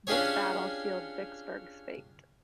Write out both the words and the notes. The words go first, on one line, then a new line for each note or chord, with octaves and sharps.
This battle sealed Vicksburg's fate.
C#4 D4 F4 G4 G#4 C#5